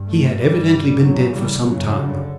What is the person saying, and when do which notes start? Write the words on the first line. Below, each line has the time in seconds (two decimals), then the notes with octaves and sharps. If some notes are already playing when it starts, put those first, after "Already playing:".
He had evidently been dead for some time.
Already playing: G2
0.09 A3
0.41 G2 G3
1.03 E2 C#3 F#3
1.34 G3
1.65 F#2 C#3 F#3
1.97 D3